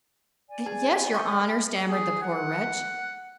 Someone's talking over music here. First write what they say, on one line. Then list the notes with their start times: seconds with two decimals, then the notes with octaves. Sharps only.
"Yes, your Honour," stammered the poor wretch.
0.50 D5 G#5
0.66 G#4
1.14 G5 C#6
1.88 G#4
2.23 F#5